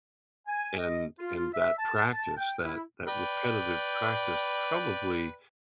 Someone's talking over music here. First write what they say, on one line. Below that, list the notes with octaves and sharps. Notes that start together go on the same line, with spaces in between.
And and that practice, that that repetitive practice probably
G#5
D#5
F4
E5
A5
A5
G5
E4
B4 D5 G5